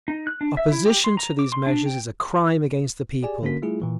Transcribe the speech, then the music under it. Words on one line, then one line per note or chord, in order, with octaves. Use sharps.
Opposition to these measures is a crime against the People.
D#4
F#6
D4
E5
E4
G4
C6
A#5
D6
C6
D4
G5
G4 G#4 D5 G#5
D3 A#3 C#4 F#4 A#4 B6
G3 A3 E4 F4 G#4
A#2 E3